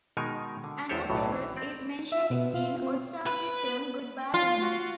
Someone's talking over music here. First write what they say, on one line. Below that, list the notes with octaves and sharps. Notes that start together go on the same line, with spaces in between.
Anna Seghers is mentioned in the ostalgie film, "Good Bye Lenin!".
B2 D#3 G#3 D#4 A#4 G#5
D3
E2 G#3 G4 A4 C5 C#5
B1 A2 E3 F#3
E3
C4 D5
E5
B2
F4
C4
B4
G5
F4 F5
F#4